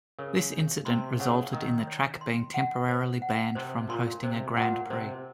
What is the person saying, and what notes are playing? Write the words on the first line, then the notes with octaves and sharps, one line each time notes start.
This incident resulted in the track being temporarily banned from hosting a Grand Prix.
C#3 A#4
C#5
C3 C6
C#3 F#5
D#3 A#4
C#5
C6
F#5
C5
F#5
C3 C5
A#2 C6
C3 C5
A#2 F#5
C3 C5